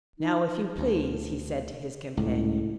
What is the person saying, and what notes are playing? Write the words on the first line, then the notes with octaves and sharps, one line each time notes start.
"Now if you please," he said to his companion.
D#4
D2
C#2 A2